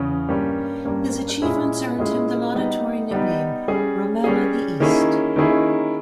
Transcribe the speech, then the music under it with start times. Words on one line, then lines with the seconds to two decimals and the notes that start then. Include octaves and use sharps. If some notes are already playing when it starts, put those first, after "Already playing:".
His achievements earned him the laudatory nickname "Rommel of the East".
Already playing: E2 C#3 C#4
0.29 G2 G3 A#3 C#4
0.85 G2 G3 A#3 C#4
1.42 A#2 G#3 C#4 E4 G#4
1.99 A#2 G#3 C#4 E4 G#4
2.54 G3 B3 D#4
3.11 G3 B3 D#4
3.68 G3 C#4 G#4
4.24 G3 C#4 G#4
4.80 D#3 A#3 C#4 E4 G#4
5.36 D#3 A#3 C#4 E4 G#4